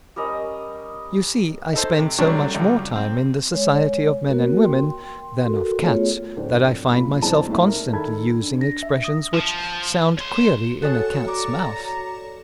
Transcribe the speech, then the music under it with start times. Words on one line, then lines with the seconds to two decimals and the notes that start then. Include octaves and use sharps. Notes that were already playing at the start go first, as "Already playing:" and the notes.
You see I spend so much more time in the society of men and women than of cats, that I find myself constantly using expressions which sound queerly in a cat's mouth.
0.16 G3 C#4 A#4 D#5
1.73 D#4 A4 C5
1.98 C3
2.18 F#2 C3 F#3 G3 A3 D4
2.54 C#2 F#3 G3
2.96 C4
3.53 G#3 C#5
4.29 A#3 F#4 A#4
4.64 G5 C6
5.43 F#4 A4 A#4
5.79 A3 B3 F4 G#4 C#5
6.37 D1 D4 C5
6.89 G1 A#2 B5
7.22 B1 E2 C4 D4 G#4 A5
7.49 A2 D4 D#4 E5
7.67 A#4
7.92 D#3 G#4 A4 A5 B5 G#6
8.42 D4
8.61 A#6
8.83 E5
9.04 D#6
9.34 F3
10.18 C#5 C6
10.82 F#4 G#4 A4 C#5 F#5
11.28 D5 A#5